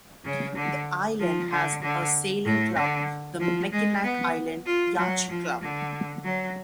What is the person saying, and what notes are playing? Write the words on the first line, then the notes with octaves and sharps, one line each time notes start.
The island has a sailing club, the Mackinac Island Yacht Club.
C#3
D3
F3
D3
D3
A2
D3
F3
G#3
B3
F4
F#3
F3
D3
F#3